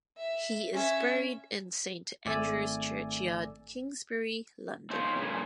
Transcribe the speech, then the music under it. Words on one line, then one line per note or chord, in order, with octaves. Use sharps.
He is buried in Saint Andrew's Churchyard, Kingsbury, London.
E5
C#4 E5
G#1 A3 D5 G#5 E6
C4 D#4 F4 C#5
G2 A#2 C#3